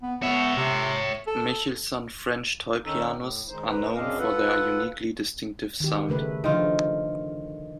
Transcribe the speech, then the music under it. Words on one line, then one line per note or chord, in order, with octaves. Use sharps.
Michelsonne French toy-pianos are known for their uniquely distinctive sound.
B3
B3 C#5 E5
C3
A4
D#3 C#4 D#4 A4
A2
D#3 G#3 D#4 C5
D3 B4 C5 A#5
F#2 C#3 C4 D4 D#5 F5
F4 A4 B4 F#5
D#3 G4
C#3 A3 B4
D3 D#3 F3 F4